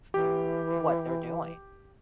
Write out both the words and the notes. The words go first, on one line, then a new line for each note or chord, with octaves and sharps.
what they're doing.
E3 G4